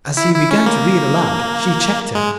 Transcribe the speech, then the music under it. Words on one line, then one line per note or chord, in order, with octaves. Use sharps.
As he began to read aloud she checked him.
E4
E4
C#4
A#3
G#3